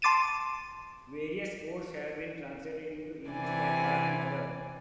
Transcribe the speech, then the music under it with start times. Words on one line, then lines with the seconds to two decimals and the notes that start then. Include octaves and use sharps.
Various odes have been translated into English by Karl Maurer.
0.02 A5 C6 D6 A6 D#7 E7
3.29 C3 E3 D5 G#5